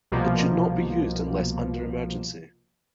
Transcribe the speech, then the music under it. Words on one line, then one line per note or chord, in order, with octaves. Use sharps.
It should not be used unless under emergency.
C2 B2 F3 A#3